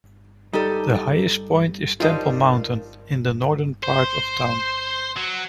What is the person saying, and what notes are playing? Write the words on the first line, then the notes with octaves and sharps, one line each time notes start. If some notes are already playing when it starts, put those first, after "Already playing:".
The highest point is Temple Mountain in the northern part of town.
G3 D#4 G4 A4
F3 G3 D#4 F4 A#4 C5
C5
F#3